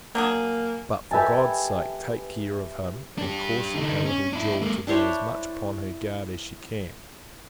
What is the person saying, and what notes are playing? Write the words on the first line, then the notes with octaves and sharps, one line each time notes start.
But, for God's sake, take care of him; and caution our little jewel to be as much upon her guard as she can.
F#3 A#3 D4 G#4
G4 B4 E5 G#5 A5
D4 G4
D3 D#4
C#4
D4 E4
G#3 A#3
D4 E4 C5 C#5